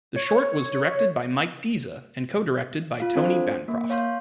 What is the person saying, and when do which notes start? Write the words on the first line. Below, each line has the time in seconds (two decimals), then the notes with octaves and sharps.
The short was directed by Mike Disa and co-directed by Tony Bancroft.
0.16 C#5
3.00 F4 F5
3.15 C4 D4 A4 C5
3.68 A#3
3.90 C#5 F5 C6 G6